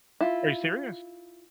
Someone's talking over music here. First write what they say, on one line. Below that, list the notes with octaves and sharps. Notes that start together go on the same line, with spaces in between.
Are you serious?
E4 F4